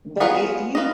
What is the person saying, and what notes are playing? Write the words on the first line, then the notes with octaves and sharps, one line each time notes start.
but if you
F#3 B3 F4 G#4 B4
F4 B4 D#5